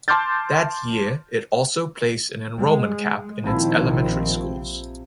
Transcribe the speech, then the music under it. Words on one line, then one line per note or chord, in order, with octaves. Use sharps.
That year it also placed an enrollment cap in its elementary schools.
A5 C6 D6 F6 G6 A6
G#3
A#1 C3 D#3 F3 C4 E4